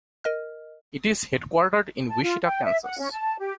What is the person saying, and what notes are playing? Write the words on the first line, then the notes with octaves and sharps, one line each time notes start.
It is headquartered in Wichita, Kansas.
A#4 D#5 F6
A5
F4
G5
E5
F#5
C#4
A5
G4